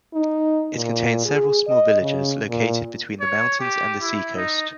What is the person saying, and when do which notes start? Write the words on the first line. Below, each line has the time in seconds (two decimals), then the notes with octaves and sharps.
It contains several small villages located between the mountains and the seacoast.
0.14 D#4
0.74 A#2
1.25 G#4
1.68 D#5
2.01 C#3
2.49 A#2
3.20 C#5
3.60 G4
4.02 E4
4.36 D#4